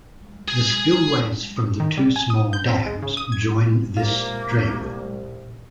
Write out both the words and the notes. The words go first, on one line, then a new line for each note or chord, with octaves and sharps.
The spillways from the two small dams join this stream.
G#4 G#5
D#3
G3
G#5
D#6
G6
C4
G#3
C#3
D#6
G#6
C2 A#2 A#3 F4